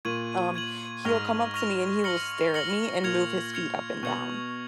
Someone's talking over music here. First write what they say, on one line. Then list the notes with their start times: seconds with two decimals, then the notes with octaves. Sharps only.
um, he'll come up to me and he will stare at me and move his feet up and down.
0.05 A#2 C#6 G#6 D#7 F#7
0.54 C#6 G#6 D#7 F#7
1.05 G#2 C#6 F6 A#6 F7
1.54 C#6 F6 A#6 F7
2.04 F6 A#6 C#7 F#7
2.54 F6 A#6 C#7 F#7
3.04 A#2 F6 G#6 C#7 F7
3.54 F6 G#6 C#7 F7
4.03 B2 C#6 G#6 C#7 F#7